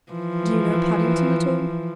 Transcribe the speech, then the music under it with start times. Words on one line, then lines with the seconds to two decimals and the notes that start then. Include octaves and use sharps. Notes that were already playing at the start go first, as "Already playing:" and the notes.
"Do you know Paddington at all?"
0.12 E3 F3